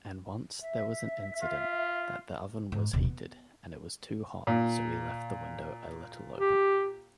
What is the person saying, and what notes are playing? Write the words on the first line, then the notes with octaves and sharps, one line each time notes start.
And once there was an incident that the oven was heated and it was too hot so we left the window a little open.
E5
F4
G#2
D#1 B2
B3
A#2
G4